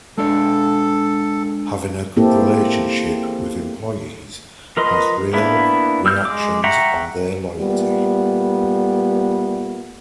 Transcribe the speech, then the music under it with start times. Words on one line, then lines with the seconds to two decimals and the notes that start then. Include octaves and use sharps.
Having a good relationship with employees has real reactions on their loyalty.
0.18 G#3 D4 A4 D5
2.17 A#3 C4 E4 G4 A4
4.77 F3 A#4 B4 D#5 C6
5.33 A#3 B3 D4 E4
6.05 G3 E6 F6 G6
6.25 G#3 D6
6.64 E5 F#5 G5 A#5 C#6
7.59 A#2 G3 A3 B3